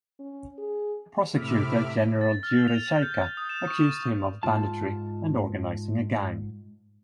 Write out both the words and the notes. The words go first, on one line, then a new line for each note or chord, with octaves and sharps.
Prosecutor General Yury Chaika accused him of banditry and organizing a gang.
C#4
G#4
A2 C3 E5 B5 D6 F6
A6
F6
F7
G6
D#6
E7
C#6
G#2 F4 A5